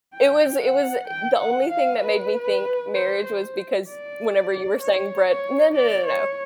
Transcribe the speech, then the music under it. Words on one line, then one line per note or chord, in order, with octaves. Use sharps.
it was it was the only thing that made me think marriage was because whenever you were saying bread no, no, no, no,
G5
F#5
G5
F#5
F5
B4
C5
C5
D5
C#5
C#5
D5
C#5